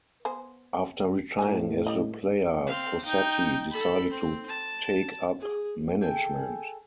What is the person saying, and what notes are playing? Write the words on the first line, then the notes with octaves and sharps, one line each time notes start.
After retiring as a player, Fossati decided to take up management.
B3 C5 G#5
A2 A#3 F#4 G#5
G3 D#5
C4 F5
D#4 G5
A4 B5
C4
A5
G#4
G#4 A4 G5 G#5